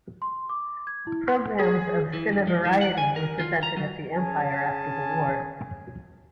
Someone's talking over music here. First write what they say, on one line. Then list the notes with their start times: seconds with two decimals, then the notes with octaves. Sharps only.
Programmes of "cine-variety" were presented at the Empire after the war.
0.22 C6
0.49 D6
0.87 G#6
1.07 E4
1.28 C6
1.59 G#4
2.13 E3
2.33 G2
2.47 G#3
2.65 E3
2.81 F#5
2.98 G#5
3.16 A#4
3.40 F4
3.63 A#5
3.77 F#3
4.12 C#4 G#4 G#5 A5